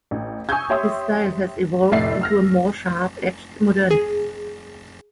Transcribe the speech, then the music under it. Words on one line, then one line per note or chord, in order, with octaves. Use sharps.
His style has evolved into a more sharp-edged modernity.
A1
G#5 C#6 D#6 E6 G6 G#6
G4 C#5 E5 C6 D#6 E6
F1 A2 D5 E5 A6 C7
E6 F6 A#6
G#4